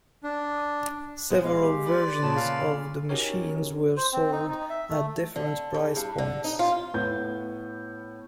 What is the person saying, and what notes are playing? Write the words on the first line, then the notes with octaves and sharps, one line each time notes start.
Several versions of the machines were sold at different price points.
D4
F3 G#3 B3
G#3 F5 C6
G4
B4 D5 C6
A#2 C#3 A5
F5
C#4 D#4 F#4 G4 A#4 C#5
C5
C4
D#4
D#4
E5
A3
D3
E2
G2
D3
D#4
F4
A2 B3 G6